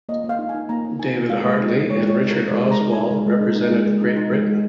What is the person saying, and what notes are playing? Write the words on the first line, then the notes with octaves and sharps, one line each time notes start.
David Hartley and Richard Oswald represented Great Britain.
A#3 D#5
A#3
F5
D#4
G#5
D#4
A#3 A#5
A#3
D#4 G#5
D#4
G#3 F5
G#3
D#4
D#4
G#3 C#5
G#3 C#5
D#4
A#4
D#4
G#3 A#4
G#3
A#5
D#4
G#5
D#4
G#3 A#4
G#3
D#4
D#4
G#3
G#3
D#4
D#4
G#3
G#3